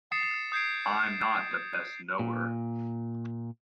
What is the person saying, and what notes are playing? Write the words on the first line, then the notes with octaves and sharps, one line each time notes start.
I'm not the best knower.
D#6 A6 C7 C#7 E7
D#6 G6 G#6 C7 D7
A#2